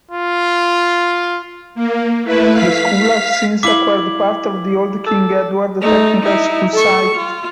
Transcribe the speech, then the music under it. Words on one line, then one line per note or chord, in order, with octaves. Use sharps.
The school has since acquired part of the old King Edward Technical School site.
F4
A#3
A3 E4 B4
F5 B6
E4 F5 D6 B6 F#7
A4
A3 D#4
D#4 E4
A4 C#6
F4